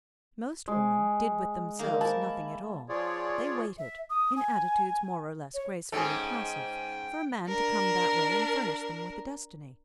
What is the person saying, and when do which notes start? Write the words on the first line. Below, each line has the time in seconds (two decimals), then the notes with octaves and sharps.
Most women did with themselves nothing at all; they waited, in attitudes more or less gracefully passive, for a man to come that way and furnish them with a destiny.
0.68 G#3
1.79 D#3 A#3
2.01 E4 A5
2.89 F3 F4 G#4 C#5 D5
3.78 E5
4.10 D#6
4.36 G#5
5.54 C#5
5.92 G#2 C#4 G#4 A4 G5
7.48 D4 A#4